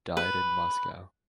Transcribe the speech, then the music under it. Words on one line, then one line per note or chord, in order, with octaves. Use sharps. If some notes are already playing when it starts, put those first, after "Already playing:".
Died in Moscow.
B4